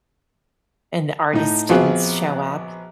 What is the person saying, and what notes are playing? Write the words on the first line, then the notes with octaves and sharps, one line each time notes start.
And the artist didn't s show up,
A2 D#4
A#1 B3 C4 F4 F#4 G#4